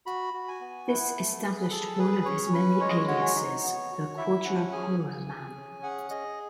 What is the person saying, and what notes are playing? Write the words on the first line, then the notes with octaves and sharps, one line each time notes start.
This established one of his many aliases, the 'Quadra Kora Man.
F#4 B5
F#4
G#5
B3
E4 F#5
A3
G#4 B4
B4
G#4 A4
G#4 B4
C#4 C#5
C#4 B4
G#3 C#5
D#5
C#5
F#4 C#5
D#4
B3
F#4
E4 E5
C#4 F#5
G#4 G#5
G#4
G#4
C#4
G#4 F#5
G#4 D#5